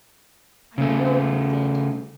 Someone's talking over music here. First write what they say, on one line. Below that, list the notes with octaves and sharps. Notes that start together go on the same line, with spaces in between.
"I know you did."
C#3 A3